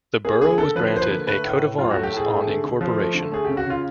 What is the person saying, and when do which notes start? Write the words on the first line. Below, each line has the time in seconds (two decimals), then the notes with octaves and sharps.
The borough was granted a coat of arms on incorporation.
0.25 A#3 G#4
0.41 D3 G#4
0.58 D3 A4
0.76 F3 B4
0.93 A#3 C5
1.01 B4
1.10 D3
1.27 A3 B4
1.44 A2
1.61 A2
1.78 F#3 F4
1.91 F#4
1.95 A3
2.03 G4
2.12 A2 G#4
2.29 A3
2.47 D3
2.64 D3
2.81 F3
2.98 A3
3.14 D3
3.32 A3 G#4
3.45 C#3 G4
3.57 F#4
3.66 C#3 F4